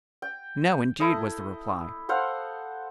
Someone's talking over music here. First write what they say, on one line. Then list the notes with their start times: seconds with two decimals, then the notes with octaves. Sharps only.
"No, indeed," was the reply.
0.22 G5
1.00 E4 A4 D#5
2.09 A4 C5 F5 F#5